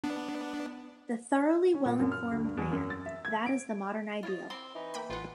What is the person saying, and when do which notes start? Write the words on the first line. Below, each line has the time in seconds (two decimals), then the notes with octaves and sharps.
The thoroughly well-informed man — that is the modern ideal.
0.04 B3 D4
1.74 C#4
1.86 A#2
2.00 F#2
2.12 F6
2.32 D2
2.44 G2
2.57 E2
2.72 F#2
2.90 A6
3.06 E5
3.25 G#6
3.46 D7
4.23 E4 F4 C#5 D#5
4.50 C4 C6 D6
4.75 E3 D#4
4.94 A#3 G5 B5
5.10 A1 F4 B4 F#5